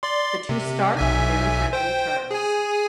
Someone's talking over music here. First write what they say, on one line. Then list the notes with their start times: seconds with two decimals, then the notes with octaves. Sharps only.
The two start on very friendly terms.
0.03 D5 C6
0.49 C3
0.97 B1 E5 G#5
1.73 C5 G5
2.31 G#4 G#5